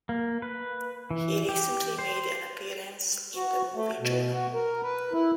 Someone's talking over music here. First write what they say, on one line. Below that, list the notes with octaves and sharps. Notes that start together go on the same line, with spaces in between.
He recently made an appearance in the movie "Juno".
A#3
B4
E3
G4
C5
F#4
A3
B2
F#4
A#4
B4
E4